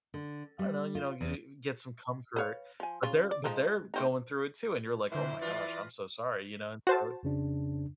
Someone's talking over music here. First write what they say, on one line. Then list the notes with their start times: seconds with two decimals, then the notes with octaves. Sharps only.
I don't know, you know, g get some comfort, but they're but they're going through it too, and you're like, "Oh my gosh, I'm so sorry," you know, and so
0.14 D3
0.59 G3
0.95 F4
1.21 E2
2.36 B4 C#5 F5
2.80 F3 G#5
3.03 C#3 F4
3.31 D5
3.44 F3 G#3 D#4
3.94 A3 C4 D#4
5.12 A2 D3 E4 B4 C5
5.42 E3 F4 B4 D5 A#6
6.87 F#4 C5 A5
7.23 F2 C#3 D4